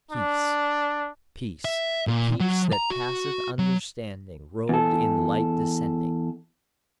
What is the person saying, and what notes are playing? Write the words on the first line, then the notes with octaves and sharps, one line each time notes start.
Peace! peace!--the peace that passeth understanding, robed in light descending! . . .
D4
E5
A#2
F#3
A#5
F#4
F#3
E2 A4